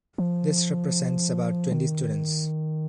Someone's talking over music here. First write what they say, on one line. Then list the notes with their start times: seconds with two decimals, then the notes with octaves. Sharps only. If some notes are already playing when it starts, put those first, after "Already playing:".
This represents about twenty students.
0.18 F3
1.72 D#3